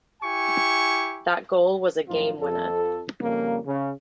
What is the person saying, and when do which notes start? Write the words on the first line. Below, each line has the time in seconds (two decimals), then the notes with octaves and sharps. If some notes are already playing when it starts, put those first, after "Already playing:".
That goal was a game-winner.
0.23 E4 G4 G#5 C#6
2.08 F#2 A2 F3 D#4 F4
2.40 F2 A4
3.22 F2 C#3 G3 A#3
3.66 C#3